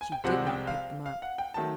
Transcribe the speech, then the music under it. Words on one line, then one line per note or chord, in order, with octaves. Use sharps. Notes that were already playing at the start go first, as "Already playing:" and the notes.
She did not pick them up.
G#5
G5
C2 C3 F3 G#3 C4 F#5
G5
F5
F5
F#5
G5
D#3 F#3 A3 A5